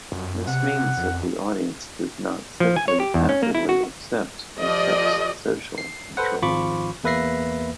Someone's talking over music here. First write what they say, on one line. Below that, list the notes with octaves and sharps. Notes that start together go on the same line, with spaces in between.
This means that the audience does not simply passively accept a text-social control.
F#2
C3 F#5
F2
F3
G#5
C#5
G4
E2
C#4
A#3
E4
F#4
F3 G4 A4 D5 D#5
C7
A4 B4 C5 F#5
G#1 F3 F4 B5 C#6 D6
E2 A#3 B4 E5 A#6 C7